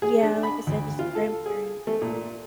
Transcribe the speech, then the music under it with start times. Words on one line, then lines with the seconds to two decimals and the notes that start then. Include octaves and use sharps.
Yeah, like I said, just grandparents,
0.02 G#4
0.23 D4
0.43 B5
0.67 D2
0.99 F4
1.15 A4
1.46 G#4
1.87 A3
2.02 A#2